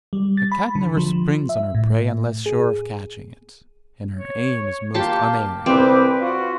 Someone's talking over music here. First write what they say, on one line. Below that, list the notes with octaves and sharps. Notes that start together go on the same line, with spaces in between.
A cat never springs on her prey unless sure of catching it, and her aim is most unerring.
G3
A6
B5
D3
F3
E5
A2
G#4
C#5
A#3 G4 A5 C6
C2 C4 B4 G5 D6
F4 F#4